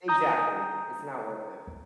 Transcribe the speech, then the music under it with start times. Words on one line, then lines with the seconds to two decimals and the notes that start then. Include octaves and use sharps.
Exactly, it's not worth it.
0.08 A#5 D#6 G6